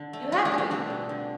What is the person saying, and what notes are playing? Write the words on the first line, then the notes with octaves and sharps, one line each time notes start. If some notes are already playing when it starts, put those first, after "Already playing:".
You have to.
Already playing: D3
A3
G3 F4
D4
G3
D4
B2 C4
B2
D3